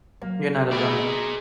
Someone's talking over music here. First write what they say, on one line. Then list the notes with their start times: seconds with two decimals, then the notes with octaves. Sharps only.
You're not alone.
0.22 F#3 A#3
0.72 A2 A3 E4 G#4 A#4 D5
1.03 D#4